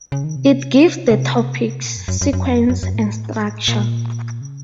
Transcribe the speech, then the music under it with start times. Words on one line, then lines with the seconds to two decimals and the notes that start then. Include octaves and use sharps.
It gives the topics' sequence and structure.
0.12 C#3
0.24 D#3
0.36 C3
1.10 C3
1.84 A#2
1.97 F#2
2.08 F#2
2.21 F#2
2.33 F#2
2.46 F2
2.58 F#2
2.69 F#2
2.83 F#2
2.95 A2
3.68 A#2
4.41 C#3